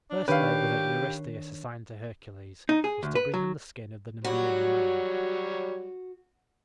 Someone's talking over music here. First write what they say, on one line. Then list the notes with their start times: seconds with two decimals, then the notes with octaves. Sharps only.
The first labor that Eurystheus assigned to Hercules was to bring him the skin of the Nemean lion.
0.10 D4
0.28 D#3 D4 G4 B4 C#5 F5
2.69 D#4
2.84 G#4
3.03 D2
3.15 B4
3.34 F#3
4.24 F#3 G3 F#4 C#5